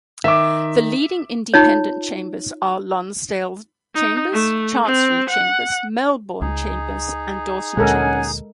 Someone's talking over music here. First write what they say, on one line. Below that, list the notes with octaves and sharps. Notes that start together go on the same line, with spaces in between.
The leading independent chambers are Lonsdale Chambers, Chancery Chambers, Melbourne Chambers and Dawson Chambers.
D#3 E5 D6
D#4 F4 C#5
D#4
A3
C4
F#5
C#2 D#4 G#4
D2 A#2 G#3 C#4 A4 A#4 F#5 G#5